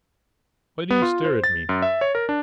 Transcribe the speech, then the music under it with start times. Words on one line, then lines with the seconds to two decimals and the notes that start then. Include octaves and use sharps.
Why do you stare at me?
0.90 B3
1.02 F4
1.25 C5
1.44 A6
1.69 F#2
1.82 E5
2.01 C#5
2.15 A#4
2.29 D4